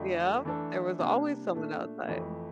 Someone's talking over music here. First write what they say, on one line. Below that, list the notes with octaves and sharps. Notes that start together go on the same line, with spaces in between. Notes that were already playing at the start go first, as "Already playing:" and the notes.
Yeah, there was always someone outside.
Already playing: F2 D3 A3
E3 A3 D4 A4
C3 G3 A#3 D4
A#2 A3 D4
F2 E3 A3